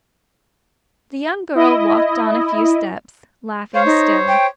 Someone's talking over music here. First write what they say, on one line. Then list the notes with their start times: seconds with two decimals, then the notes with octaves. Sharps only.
The young girl walked on a few steps, laughing still.
1.55 E4 D#5
3.74 C5 C#5 F5
3.86 D#4
4.28 G5